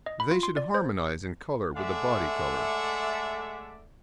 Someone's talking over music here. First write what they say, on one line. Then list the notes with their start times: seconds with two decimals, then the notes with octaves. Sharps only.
They should harmonise in colour with the body colour.
0.06 D#5
0.20 B5
0.31 F4
0.43 C6
0.57 D5
0.74 C5
1.74 G#3 A3 A4 D5 E5 F#5